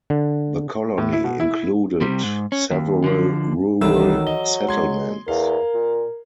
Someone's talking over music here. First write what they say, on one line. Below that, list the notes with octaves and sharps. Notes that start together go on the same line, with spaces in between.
The colony included several rural settlements.
D3
A2
E4
B2
E4
C3 G3
G#2
C#4
D#2
D3 F3
C2 D#3 E3 F#3 A4 E6
D#5 G7
G#3 C6 G#6
E2 A#4 F5
A#2